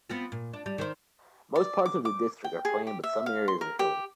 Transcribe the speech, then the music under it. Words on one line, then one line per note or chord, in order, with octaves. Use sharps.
Most parts of the district are plain but some areas are hilly.
B3 C4 F4
A#2
D4
G3
D#3 G#4 C5
D5
D6
D6
G5
G#4
G4
E5
F5
C6
A#4
G4